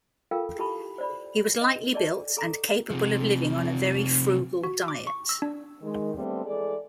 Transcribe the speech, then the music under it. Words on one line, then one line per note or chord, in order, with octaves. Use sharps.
He was lightly built and capable of living on a very frugal diet.
F4 A4 A#4 F5 G5
E4 G4 A4 A5 B5 C#6
C5 D5 B5
D#5
G#4 D5 D#5 A5
G#4 A4 A#5
C3 F3
F#4
D6
C#6
E6
D4
D#3 G#3
D3 G3 A3 B3 C4
E3 G#3 G#4 A4 D5